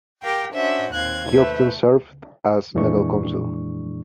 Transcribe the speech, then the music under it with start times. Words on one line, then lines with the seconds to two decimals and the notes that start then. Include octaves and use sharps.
He often served as legal counsel.
0.23 G4 A#4 F5 G5
0.54 C#4 D4 F#4 C5 E5
0.93 D#2 C4 F5 F#6 G#6
1.31 A3 B4 C5 E5
2.75 F2 A#2 E3 G#3 D4 C#6